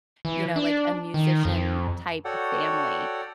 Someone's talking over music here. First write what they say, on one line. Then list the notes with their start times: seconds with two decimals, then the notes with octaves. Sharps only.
you know, like, a musician-type family,
0.25 E3
0.56 D4
1.14 D#3
1.45 F2
2.25 F#4 A4 C#5 D5 F#5 G5